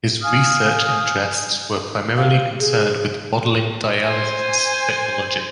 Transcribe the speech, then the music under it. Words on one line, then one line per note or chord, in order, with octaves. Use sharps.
His research interests were primarily concerned with modeling dialysis technology.
F5 G#5 D#6 F6
F5
G#4
C5 G#5